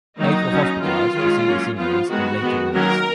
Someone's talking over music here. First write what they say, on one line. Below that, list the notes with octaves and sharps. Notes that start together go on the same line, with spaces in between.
Both were hospitalized for serious injuries and later released.
D#3 F#3 A#3 D#4
F#3 C#4
D#3 F#3 B3 F4
D#3 G#3 C#4
F#3 A#3 C#4
F3 B3 F4
D#3 G#3 B3 F#4
D#3 G#3 B3
D#3 F#3 A#3 C#4 A#4